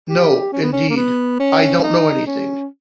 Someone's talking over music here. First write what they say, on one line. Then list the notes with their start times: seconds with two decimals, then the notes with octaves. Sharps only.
No, indeed; I don't know anything.
0.09 G4
0.53 C#4
0.63 B3
0.73 C#4
0.90 A#3
0.96 B3
1.40 C#4
1.84 D#4
2.27 C#4